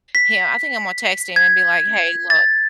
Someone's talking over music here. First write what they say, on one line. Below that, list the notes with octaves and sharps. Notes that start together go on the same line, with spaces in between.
him I think I'm gonna text him and be like, "Hey, look"
B6
G#6
A6